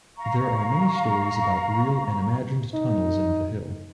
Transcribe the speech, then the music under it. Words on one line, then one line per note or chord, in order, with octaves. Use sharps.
There are many stories about real and imagined tunnels in the hill.
F5 A#5 C#6
D#4